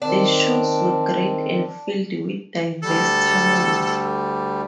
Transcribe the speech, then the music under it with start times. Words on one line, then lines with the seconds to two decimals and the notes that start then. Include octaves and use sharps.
The shows were great and filled with diverse talent.
0.02 D#3 C4 D4
2.83 D2 G3 A4